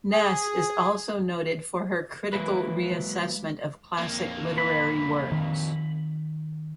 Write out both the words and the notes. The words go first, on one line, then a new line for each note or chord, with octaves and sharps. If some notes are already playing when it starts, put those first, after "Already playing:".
Ness is also noted for her critical reassessment of classic literary works.
G#4
E3 F#3 G#3 A#3 E4 B4
F2 A#3
B5
D#3